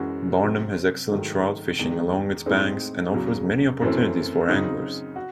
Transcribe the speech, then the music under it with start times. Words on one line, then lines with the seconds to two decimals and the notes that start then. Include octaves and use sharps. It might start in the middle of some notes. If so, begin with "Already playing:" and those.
Barnum has excellent trout fishing along its banks and offers many opportunities for anglers.
Already playing: F#2 E3 G#3 C#4 F#4
0.43 C3 F#3 C4
1.11 G#2 D#3 F#3 A3
1.79 E2 D#3 G#3
2.46 A2 G#3 C4 D#4
3.14 E2 C#3 F#3
3.81 F#2 E3 A3 C4
4.48 C#3 F#3 C4 D#4
5.16 F#4